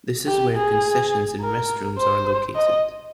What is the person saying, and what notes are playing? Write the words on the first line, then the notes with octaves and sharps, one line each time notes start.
This is where concessions and restrooms are located.
G4
G#4
A#4
C5
D#5